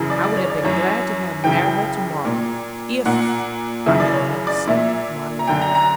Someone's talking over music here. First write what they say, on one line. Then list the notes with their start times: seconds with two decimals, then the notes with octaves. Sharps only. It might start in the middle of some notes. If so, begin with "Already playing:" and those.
I would have been glad to have married her to-morrow, if I had never seen my Lorna.'
Already playing: F#2 C#3 E3
0.10 D5
0.24 D5
0.37 C#5
0.50 D5
0.63 F#2 E3 C#5
1.44 F#2 C#3 E3 G5
2.25 A#2
3.06 A#2 F#5
3.86 F#2 C#3 E3 E5
4.00 D5
4.13 C#5
4.47 D5
4.67 A#2 E5
5.39 A#5
5.47 F#2 D3 G5
5.61 A#5
5.75 A#5